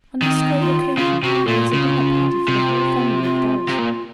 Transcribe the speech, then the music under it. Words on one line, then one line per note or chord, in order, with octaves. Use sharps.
On this great occasion there is a dinner-party for the whole family of dolls.
D#3 C4
F4
C#3 F4
C3 F#4
A#2 F4
C#3
C3
F4
C3
A#2